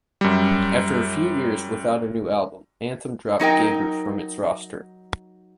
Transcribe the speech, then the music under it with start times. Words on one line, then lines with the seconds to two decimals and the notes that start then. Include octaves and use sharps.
After a few years without a new album, Anthem dropped Gabor from its roster.
0.21 F#2 G3
3.40 F#3 D#4 A#4 G5